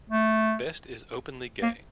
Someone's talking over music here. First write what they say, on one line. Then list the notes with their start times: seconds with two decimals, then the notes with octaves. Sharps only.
Best is openly gay.
0.10 A3
1.62 A#3